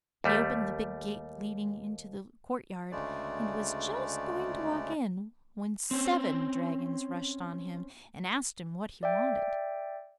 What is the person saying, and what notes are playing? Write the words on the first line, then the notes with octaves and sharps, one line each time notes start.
He opened the big gate leading into the courtyard, and was just going to walk in, when seven dragons rushed on him and asked him what he wanted?
D#2 G3 A3
D2 C#3 G#3 A3 D5
C4 C#4 C5
D5 E5 G5